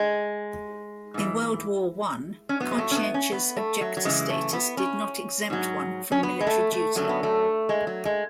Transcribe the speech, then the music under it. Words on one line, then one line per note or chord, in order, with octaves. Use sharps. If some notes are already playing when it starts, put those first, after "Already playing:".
In World War One, conscientious objector status did not exempt one from military duty.
Already playing: G#3
G#2 E3
C#4
A2 F#3 B3
G#3
A3
C#4
B3
C#4
B3
A3
F#3
F#3
F#2 C#3 E3 G#3
A3
B3
C#4
G#2 F#3
C#4
B3
G#3
A3
A3
F#2 D3 F#3 A3
B3
A3
G#3
F#3
G#3